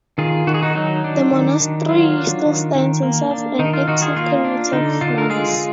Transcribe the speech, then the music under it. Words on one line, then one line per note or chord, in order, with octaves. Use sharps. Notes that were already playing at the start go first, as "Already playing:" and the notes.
The monastery still stands and serves an active community of nuns.
D#3 F4 G#4
D#3 F#4
G#4
D#4 F#4
F#3 D#4
D4
D#3
D#3
F#3 F4
D4
D#3
D#3
A#3
D4
D#3 D#4
F4
D#3 D#4 F#4
F4 G#4
A#3 F4
D4
D3 D#4
D3 F4
A#4
G#3 F4 G#4